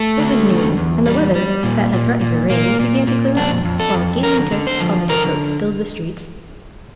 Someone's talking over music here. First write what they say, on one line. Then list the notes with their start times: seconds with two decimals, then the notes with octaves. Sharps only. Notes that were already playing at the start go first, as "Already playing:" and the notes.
It was noon; and the weather, that had threatened rain, began to clear up, while gaily dressed holiday folks filled the streets.
Already playing: A3
0.19 D3
0.48 E2
0.77 E2
1.06 G3
1.35 G3
1.63 A#2
1.93 A#2
2.21 A#2
2.50 A#2 A#3
2.79 A#2
3.07 A#2
3.37 F2 D4
3.65 F2
3.80 A4
3.94 F2
4.23 D3 A#4
4.51 D3
4.67 C5
4.80 F3
5.09 D3 A#4